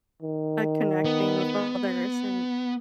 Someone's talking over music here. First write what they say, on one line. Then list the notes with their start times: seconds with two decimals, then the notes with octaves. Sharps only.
at connecting with others and
0.23 D#3
1.05 B3